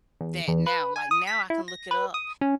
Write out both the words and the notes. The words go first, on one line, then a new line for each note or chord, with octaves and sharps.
that now. Like, now I can look it up
E2
E2
B4
G#5
D#6
B6
E4
A#6
B4
D#6
C#4